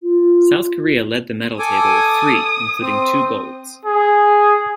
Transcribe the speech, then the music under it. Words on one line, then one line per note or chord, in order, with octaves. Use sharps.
South Korea led the medal table with three, including two golds.
F4
A4 G#5 D6 D#6
C4
G#4